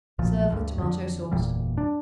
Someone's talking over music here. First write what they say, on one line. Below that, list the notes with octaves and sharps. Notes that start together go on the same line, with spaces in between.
Serve with tomato-sauce.
B1 A#2 F3
D2 G2
F2 D3
F#1 E2 A#2 G3
D4